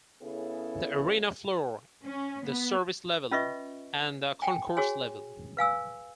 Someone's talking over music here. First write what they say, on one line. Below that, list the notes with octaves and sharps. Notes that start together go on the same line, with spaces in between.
The arena floor, the service level and the concourse level.
C#3 B3 C#4 E4 G#4 A4
C#4
B3
C#4 F4 B4 D#5 E5 C#6
G5 G#5
F#4 G#4 C#5 G#5
B4 F5 G#5 E6